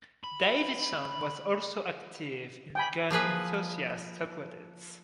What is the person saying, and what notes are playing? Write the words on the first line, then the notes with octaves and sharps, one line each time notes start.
Davison was also active in gun enthusiast subreddits.
B5
G5 G#5 B5
F3 A#3 G#4 B4